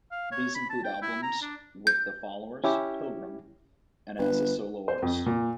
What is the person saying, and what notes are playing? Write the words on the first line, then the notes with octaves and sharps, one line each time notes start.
These include albums with The Followers, Pilgrim, and as a solo artist.
F5
C#5
B5
A5
G5
E4
A#5
D4
G6
C#4 E4 G4
G1 B4
C5
F2
A#2